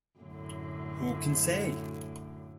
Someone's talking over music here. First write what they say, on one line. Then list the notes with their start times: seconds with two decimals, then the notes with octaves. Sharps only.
Who can say?
0.19 F#2 A2 D3